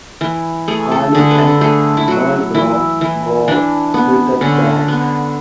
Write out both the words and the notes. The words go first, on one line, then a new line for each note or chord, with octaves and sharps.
Harley and Marlboro go to the bank.
E3
A3 G#4
A4
D3 G#4
B4
A4
A3 G#4
E4
F#3 F#4
E3 E4
E3
E3 D4
B3
D3 C#4
B3